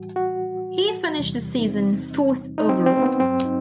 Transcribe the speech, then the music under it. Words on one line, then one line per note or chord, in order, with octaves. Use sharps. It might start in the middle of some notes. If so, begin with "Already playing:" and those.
He finished the season fourth overall.
Already playing: A2 E3 G3 F#4
F#4
E2 C3 E3 G3
D#4
C4
D#4
C4
C4
B3
G2 F#3 C4
D#4